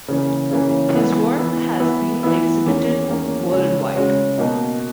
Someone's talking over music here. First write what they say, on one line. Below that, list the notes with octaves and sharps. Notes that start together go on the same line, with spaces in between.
His work has been exhibited worldwide.
C#3 E3 A#3 C#4
C#3 E3 A#3 C#4
E3 B3 E4
E3 B3 E4
E3 B3 E4
E3 B3 E4
E2 D#3 A#3 C#4
E2 D#3 A#3 C#4
C#3 G#3 C#4 F#4
C#3 G#3 C#4 F#4
B2 A#3 D#4 F#4